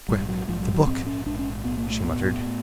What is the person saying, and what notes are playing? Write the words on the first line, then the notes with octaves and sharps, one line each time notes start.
"Quick--the book," she muttered.
A#1 G#2 G3
F#3
A#1 G#2 F3
F#3
F#3
A#1 G#2 C4
C#4
A#1 G#2 D4
C#4
B1 A2 B3
A#3
A3
B1 A2 B3
A2